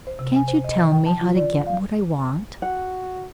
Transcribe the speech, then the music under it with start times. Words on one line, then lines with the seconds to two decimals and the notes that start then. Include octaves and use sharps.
"Can't you tell me how to get what I want?"
0.07 C5
0.19 C3
0.35 G#5
0.48 C5
0.64 D#5
0.77 E3
0.92 G5
1.06 A5
1.21 F4
1.36 D5
1.67 F5
2.62 F#4 F#5